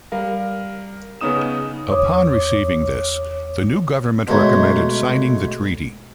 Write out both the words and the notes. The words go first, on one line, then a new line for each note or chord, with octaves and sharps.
Upon receiving this, the new government recommended signing the treaty.
G3 A#4 F5
C#3 B3 C#4 D#4 D#6 E7
E2 C#5 D6 D#6
B2 G#3 A3 B3 A#4 C#5